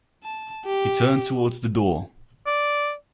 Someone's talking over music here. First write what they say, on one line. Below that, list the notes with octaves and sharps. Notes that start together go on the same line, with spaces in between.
He turned towards the door.
A5
G4
D5